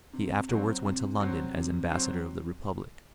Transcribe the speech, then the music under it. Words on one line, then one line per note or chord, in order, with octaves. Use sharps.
He afterwards went to London as ambassador of the Republic.
C3
F#3 C4
C3
F#3 C4
C3
F#3 C4